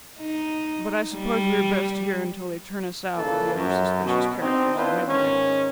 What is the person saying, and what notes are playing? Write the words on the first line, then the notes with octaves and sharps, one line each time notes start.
But I suppose we are best here until they turn us out with the other suspicious characters, at midnight.'
D#4
G3
A#2 C#3 E3 A#3 F4 A4
F#2
B2
C4 D4 D#4
B3 D4 E4 F4 B4 C5
G#2 D#3 C#4